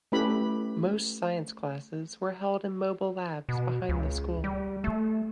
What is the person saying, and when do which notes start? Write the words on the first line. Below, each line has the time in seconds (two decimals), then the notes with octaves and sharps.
Most science classes were held in mobile labs behind the school.
0.12 A3 C#4 E4 G4 B4 B5
3.49 B2
3.89 C#2
4.44 G3
4.84 A3